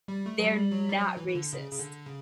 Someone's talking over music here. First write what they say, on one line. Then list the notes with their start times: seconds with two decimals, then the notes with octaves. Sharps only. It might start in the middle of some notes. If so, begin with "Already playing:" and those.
they're not racist.
0.08 G3
0.26 A3
0.40 F#3
0.44 G3
0.71 F#3
0.89 G3
0.99 F#3
1.17 E3
1.27 E3
1.35 D3
1.53 C#3
1.72 C#3
1.79 D3
2.06 C#3